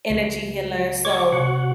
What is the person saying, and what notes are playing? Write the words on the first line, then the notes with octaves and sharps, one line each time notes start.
energy healer, so
C#2
C#5 C#6 D6
C3 F#4 F#5